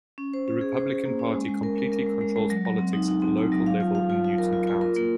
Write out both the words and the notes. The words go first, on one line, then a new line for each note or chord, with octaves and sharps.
The Republican Party completely controls politics at the local level in Newton County.
C#4
C5
C#4
G#4
C5
G#4
A#3
C#4
G#3
G#3
A#4
A#4
A#4
G#3
G#3
G#3
F#3
F#3
C4
D#4
D#4
C4
D#4
F#3
F5
F4
F5
F4
F4
A#4
F4
F4
A#4
A#3